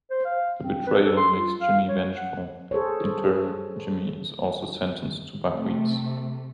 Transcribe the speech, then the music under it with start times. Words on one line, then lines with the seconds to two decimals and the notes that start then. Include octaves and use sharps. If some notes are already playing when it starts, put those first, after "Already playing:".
The betrayal makes Jimmy vengeful; in turn, Jimmy is also sentenced to buckwheats.
0.10 C5
0.25 F5
0.62 C4
0.87 B4
1.05 A4
1.17 C6
1.39 F4
1.61 F5
1.88 C#5
2.17 F#5
2.71 G#4 A4 C5 C#5
5.50 C3 A3